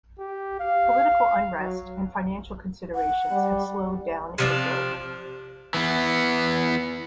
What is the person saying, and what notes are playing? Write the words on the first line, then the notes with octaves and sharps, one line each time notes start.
Political unrest and financial considerations have slowed down any growth.
G4
F5
F#3
F#5
G3
C3 F3 D4
E3 B3